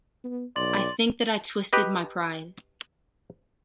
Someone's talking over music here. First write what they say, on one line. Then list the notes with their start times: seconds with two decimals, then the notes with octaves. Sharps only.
I think that I twisted my pride.
0.24 B3
0.56 B1 D5 C6 A6 F#7
1.73 G4 B4 D#5